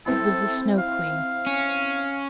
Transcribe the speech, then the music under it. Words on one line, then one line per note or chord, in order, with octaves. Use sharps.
It was the Snow Queen.
C4 E4 A4
F5
C#4